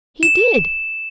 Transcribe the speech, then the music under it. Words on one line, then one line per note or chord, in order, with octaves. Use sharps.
"He did."
E7